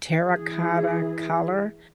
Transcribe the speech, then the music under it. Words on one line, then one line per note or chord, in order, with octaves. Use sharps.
terracotta color,
E3 G#4